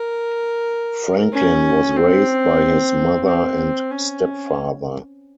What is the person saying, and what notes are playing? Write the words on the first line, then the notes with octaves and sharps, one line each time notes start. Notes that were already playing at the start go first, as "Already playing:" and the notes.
Franklin was raised by his mother and stepfather.
Already playing: A#4
C#4
C4
C4
C#4